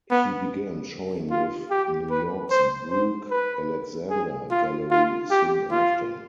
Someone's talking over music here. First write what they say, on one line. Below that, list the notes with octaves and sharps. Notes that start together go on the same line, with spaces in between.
He began showing with New York's Brooke Alexander Gallery soon after.
B3
F4
G4
B4
C5
C5
B4
G#4
F4
F4
G4
F4